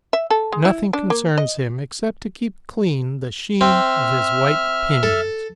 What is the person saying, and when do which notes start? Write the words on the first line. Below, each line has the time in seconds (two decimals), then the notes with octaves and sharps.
Nothing concerns him except to keep clean the sheen of his white pinions.
0.13 E5
0.30 A4
0.52 G#3
0.65 E4
0.93 D4
1.10 A#3
1.38 D#5
3.61 C4 E5 F6
5.03 A4